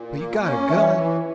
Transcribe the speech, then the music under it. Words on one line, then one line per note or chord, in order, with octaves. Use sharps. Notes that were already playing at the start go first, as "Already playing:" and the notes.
But you got a gun.
Already playing: A#2
A#3
C#4
E3 C#5 E5
E3